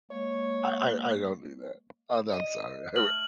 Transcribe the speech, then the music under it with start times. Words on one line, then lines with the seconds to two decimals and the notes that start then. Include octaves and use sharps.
I I I don't do that. Oh, no I'm sorry. I
0.11 G#3 A#3 C#5
2.33 D#5
2.96 A3 F6 F#7